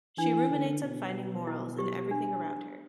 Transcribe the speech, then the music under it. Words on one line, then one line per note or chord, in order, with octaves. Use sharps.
She ruminates on finding morals in everything around her.
E3 D4
D3
B2
E4
G4
D4